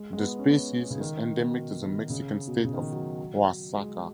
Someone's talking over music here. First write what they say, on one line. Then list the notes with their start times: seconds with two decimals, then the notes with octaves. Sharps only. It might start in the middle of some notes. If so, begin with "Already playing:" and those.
The species is endemic to the Mexican state of Oaxaca.
Already playing: G#3
0.13 G#3
0.18 B3
0.39 C#4
0.46 B3
0.91 C#3
1.00 D#3
1.38 B2
1.83 D#3
2.10 C#3
2.47 B2
2.64 C#3
2.73 D#3
2.82 C#3
2.92 F#3
3.75 G#3